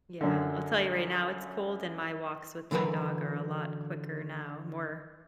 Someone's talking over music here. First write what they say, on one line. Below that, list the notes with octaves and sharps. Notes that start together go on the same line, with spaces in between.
Yeah, I'll tell you right now, it's cold, and my walks with my dog are a lot quicker now, more
F#2 D3
D3 E3 F#3 A#4 B4